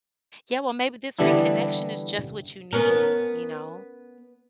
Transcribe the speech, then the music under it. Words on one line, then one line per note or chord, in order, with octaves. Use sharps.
Yeah, well, maybe this reconnection is just what you need, you know?
D3 E3 G3 B3 D4 E4
B3 C#4 A#4